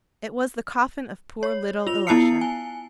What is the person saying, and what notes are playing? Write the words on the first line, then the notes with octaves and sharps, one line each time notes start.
It was the coffin of poor little Ilusha.
C#5
F4 F7
B3 E4 A5 C7 C#7
G#5